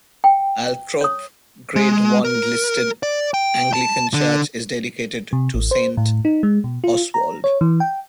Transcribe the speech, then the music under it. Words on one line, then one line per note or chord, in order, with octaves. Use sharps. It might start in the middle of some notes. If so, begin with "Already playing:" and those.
Althorpe Grade One listed Anglican church is dedicated to Saint Oswald.
G5
C#5 D#6
G#3
A#4
D5
G5
A5
D3
C3
A1
C5
A2
D#4
G#3
B2
F4
A#5
C#5
E3
G5